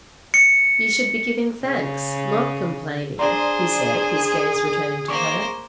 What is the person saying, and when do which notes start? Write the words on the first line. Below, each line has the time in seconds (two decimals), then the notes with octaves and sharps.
"You should be giving thanks, not complaining," he said, his gaze returning to her.
0.34 C#7
1.65 C#3
3.19 D4 G#4 C5 D5 A#5 C6
5.08 A#3 C5 C#6 D6